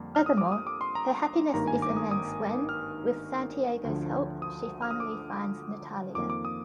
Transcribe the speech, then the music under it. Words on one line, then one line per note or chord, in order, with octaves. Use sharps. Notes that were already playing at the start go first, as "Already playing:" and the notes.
Furthermore, her happiness is immense when, with Santiago's help, she finally finds Natalia.
Already playing: F2 D3 G3 A#3
F6
D#6
D6
D#6
D6
C6
A#5
G#1 G2 D#3 A#3 A#5
G#5
D6
D#6
D#6
F6
D2 D3 F3
D#6
F6
D#6
D6
F2 D#3 A#3 D6
D6
D#6